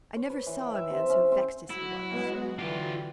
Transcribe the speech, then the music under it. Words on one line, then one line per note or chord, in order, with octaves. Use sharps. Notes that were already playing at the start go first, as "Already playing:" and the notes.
I never saw a man so vexed as he was.
C#5
B4
E3
G5
E5
C3
C#4
C4
F#3 E4 F#4
G#3 B3
D3 E3 F4 G4